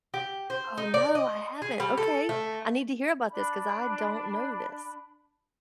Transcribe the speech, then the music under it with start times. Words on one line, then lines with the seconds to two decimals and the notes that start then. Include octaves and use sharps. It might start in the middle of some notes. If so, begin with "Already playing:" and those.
Oh, no, I haven't. Okay. I need to hear about this 'cause I don't know this.
0.14 G4
0.50 C5
0.78 D#4
0.94 D5
1.15 D#5
1.62 G#4
1.80 G3
1.98 A4
2.29 A3
3.29 D4 B5